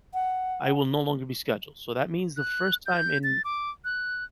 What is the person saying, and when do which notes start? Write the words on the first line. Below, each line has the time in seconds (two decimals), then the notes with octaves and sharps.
I will no longer be scheduled. So, that means the first time in
0.14 F#5
2.37 F#6
2.86 G6
3.24 A6
3.45 D6
3.85 F#6